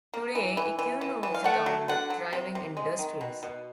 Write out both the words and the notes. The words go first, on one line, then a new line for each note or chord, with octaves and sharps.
Today, Ikuno is a town with thriving industries.
A#3
E3
E3
E3
E3
E3
F5
A3 F#5
F#3
D3 F#5
F#3
C3
C3
G#3
D#3
B2
B2